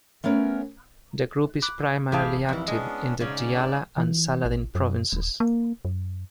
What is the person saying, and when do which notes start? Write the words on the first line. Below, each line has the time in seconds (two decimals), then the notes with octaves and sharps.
The group is primarily active in the Diyala and Saladin Provinces.
0.24 A3 B3 C#4 A#4 C#5
1.62 B5 D6 F#6
2.12 A1 A2 E4 G4 G#4 F5 A5
2.49 F2 D#3 E3 G3
2.68 G#3 B3 C#4 D4 D#5
3.20 G#2 C#3 C#4 D5
3.98 E3
4.45 A1
4.75 F#2
5.13 D#1
5.40 A#3
5.85 F#2